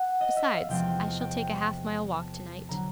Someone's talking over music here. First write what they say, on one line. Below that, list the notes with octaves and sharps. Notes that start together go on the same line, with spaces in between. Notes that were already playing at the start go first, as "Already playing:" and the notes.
Besides, I shall take a half-mile walk to-night.'
Already playing: F#5
D#5
E5
F5
E2 C3 F3 G#3 G5
G5
A5
D3 F#3 A#5